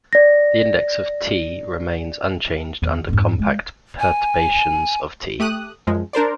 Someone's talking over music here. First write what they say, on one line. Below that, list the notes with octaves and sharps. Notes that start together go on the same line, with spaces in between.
The index of "T" remains unchanged under compact perturbations of "T".
D5 A#6
E2 D#3
F2 G#2 D#4
G#3
G#5
A3 G4 D#6 F#6
F#2 F3 G#3
D4 A#4 C5 D5